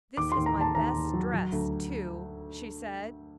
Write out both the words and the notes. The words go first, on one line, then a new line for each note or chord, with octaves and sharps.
"This is my best dress, too," she said.
D#2 D6
C6
D#2
A#5
D#2
A5
D#2 A#5
D#2
F#3
F#3
D2